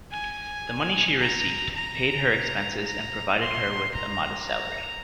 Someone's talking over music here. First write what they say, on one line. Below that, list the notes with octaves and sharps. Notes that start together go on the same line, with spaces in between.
The money she received paid her expenses and provided her with a modest salary.
G#5
A#5
A#5
A#5
C6
A#5
A#5